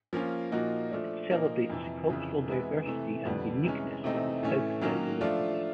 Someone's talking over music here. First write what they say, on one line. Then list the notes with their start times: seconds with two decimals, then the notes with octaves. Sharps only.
It celebrates the cultural diversity and uniqueness of the Southside of the City.
0.13 F3 A#3 C#4 F4
0.52 A#2 F3 A#3 D#4 F#4
0.91 F3 A3 D4
1.30 A#2 F3 A#3 D#4
1.70 F2 C3 E3
2.09 F2 C#3 E3
2.48 C3 E3 G#3 B3 E4
2.86 C3 E3 A3
3.25 F2 D3 G3 B3
3.64 C3 E3 G#3 C#4
4.04 C3 E3 A3 C4 D#4
4.43 A2 E3 A3 C#4
4.81 D#3 F#3 A#3 C#4
5.21 F3 A3 D4 F4